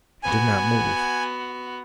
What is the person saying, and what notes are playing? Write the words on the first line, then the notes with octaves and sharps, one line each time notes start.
She did not move.
B3 F#4 G#5